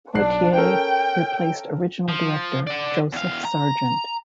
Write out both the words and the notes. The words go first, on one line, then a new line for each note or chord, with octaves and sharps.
Poitier replaced original director, Joseph Sargent.
B1 D4 F#6 C7
C#4 A4 A#4 G5
F3
D5 F#5
E2 F5
A#5